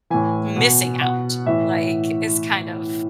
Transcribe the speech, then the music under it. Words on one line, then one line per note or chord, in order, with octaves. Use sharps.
missing out, like, it's kind of
A2 E3 G#5
B2
B2 F#5
A2 E3 E5